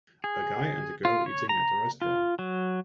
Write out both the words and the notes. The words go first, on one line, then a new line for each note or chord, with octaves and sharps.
A guy and a girl eating at a restaurant.
G#4
F4
C#5
A#5
F4
F#3